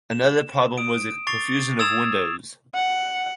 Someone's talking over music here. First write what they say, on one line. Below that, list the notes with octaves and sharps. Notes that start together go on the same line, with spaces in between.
Another problem was a profusion of windows.
E7
D#6 D7
C#6 D6 A6 C7 F7
D#6 E6 G#6 A6 E7 F7
F#5